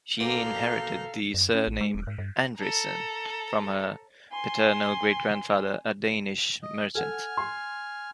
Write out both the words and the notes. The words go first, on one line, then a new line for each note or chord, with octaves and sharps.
She inherited the surname 'Andresen' from her paternal great grandfather, a Danish merchant.
B1 A#3 A4 F5 A#5 C6 G6
F#2
C#4
A1
G#3
D#1
G#2
G2
A4 A#5
G#5 C6
D#5
A4 F#5 G#5 F6
C6